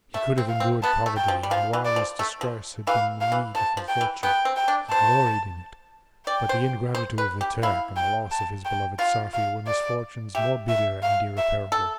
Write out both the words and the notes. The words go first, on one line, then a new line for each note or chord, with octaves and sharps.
He could have endured poverty, and while this distress had been the meed of his virtue, he gloried in it; but the ingratitude of the Turk and the loss of his beloved Safie were misfortunes more bitter and irreparable.
A3 E5
C4
F5
C4
B3 A5
A3
G5
F3
G3
F3 F5
E3
D5
F3
A3
F3
E3 F5
F5
E3
F3 A5
F3
G5
E3
B3 G5
C4
G5
D4
C5 A5
D5 G5
C5
C5
B4
G4
E4 F5
G5
A5
G5
F4 F5
F5
D5
G4 E5
E5
F5
E5
A4